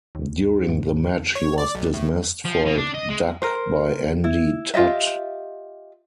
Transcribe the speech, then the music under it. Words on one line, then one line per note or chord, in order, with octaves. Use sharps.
During the match he was dismissed for a duck by Andy Tutt.
D#2
G#2
C#5
D5
B1
A2
F3
B2
D4
D#5
G#3
A#4 C5
E4
F4 G4 D#5 E5